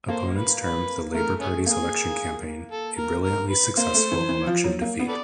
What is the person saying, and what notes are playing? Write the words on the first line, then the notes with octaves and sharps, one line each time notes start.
Opponents termed the Labour Party's election campaign "a brilliantly successful election defeat".
A#3 A4 C5
B4
B4
A3 A#4
B3 C#4 G#4
A#3 G#4
A4
A#4
A#4
B4
A#3 C5
A3
E3
E3
F3
F#3
A#3
B3
A4 B4 D5